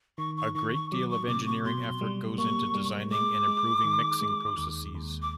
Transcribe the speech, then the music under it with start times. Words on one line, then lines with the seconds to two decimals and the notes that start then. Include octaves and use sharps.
A great deal of engineering effort goes into designing and improving mixing processes.
0.18 D#3 C#6
0.37 C#6
0.55 D#3 C#6
0.74 C#6
0.92 F#3 D6
1.10 C#6
1.28 C3 D6
1.46 C#6
1.65 B2 C6
2.01 G3
2.38 A#3 C#6
2.75 G3
3.11 G#3 D6
3.47 G#3
3.85 D#3
4.21 G#3
4.58 D#2
4.95 D#2
5.22 D6